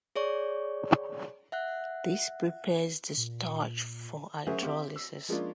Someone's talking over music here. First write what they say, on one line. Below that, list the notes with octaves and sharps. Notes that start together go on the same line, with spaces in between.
This prepares the starch for hydrolysis.
G#4 C#5 D5 C#6
E5 F#5 F#6
A#2
F#3 C#4 G#4 A#4 C5 E5
C4 G4 E5
E6
F3 G#3 A#3 C#4 D4 F4